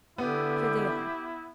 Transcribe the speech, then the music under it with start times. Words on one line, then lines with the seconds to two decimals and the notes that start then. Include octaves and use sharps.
"Here they are."
0.18 D3 B3 E4 G4